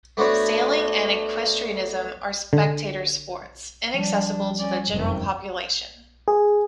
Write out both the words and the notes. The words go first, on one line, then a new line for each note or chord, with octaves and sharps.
Sailing and equestrianism are spectator sports, inaccessible to the general population.
A3 B3 D4 F#4 C5 C#5
D3
F3 G3 D4
C#4 D5
F1 F#2 D#3 C4
G#4